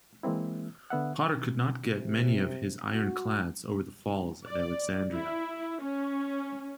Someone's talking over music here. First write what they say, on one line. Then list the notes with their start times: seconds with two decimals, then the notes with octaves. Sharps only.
Porter could not get many of his ironclads over the falls at Alexandria.
0.23 E3 G#3 A#3 C4 E4
0.90 D3 B3 E5 F#5
1.88 C3
2.93 F#4
4.47 D5
5.12 E4
5.81 C#4